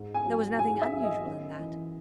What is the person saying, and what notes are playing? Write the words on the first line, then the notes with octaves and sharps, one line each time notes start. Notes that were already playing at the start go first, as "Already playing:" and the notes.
There was nothing unusual in that.
Already playing: G#2
G#5
F#3
G#2 G#5
E5
F#3
D#5
F#2
E3